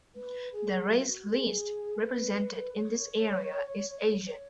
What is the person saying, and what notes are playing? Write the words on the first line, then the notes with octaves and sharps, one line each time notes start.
The race least represented in this area is Asian.
B4
G#4
F#4
G#4
B4
C#5
C#5